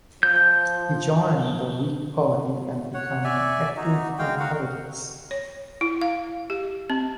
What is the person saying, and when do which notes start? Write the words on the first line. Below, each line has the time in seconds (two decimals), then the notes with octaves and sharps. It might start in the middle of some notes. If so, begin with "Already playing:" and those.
He joined the Whig Party and became active in politics.
0.23 F3 G6
2.94 C#5 F#5
3.24 D5 E5 G#5
3.77 D#4 F#4
4.19 G#3 F#4 F5 G5
4.40 F#4 A#4 F5 F#5
5.31 C#5
5.81 E4
6.01 F5
6.50 G4
6.90 C4